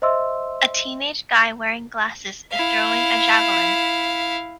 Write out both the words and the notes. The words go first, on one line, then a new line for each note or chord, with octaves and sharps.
A teenage guy wearing glasses is throwing a javelin.
C5 D#5 E5 C6 E6
E4 F5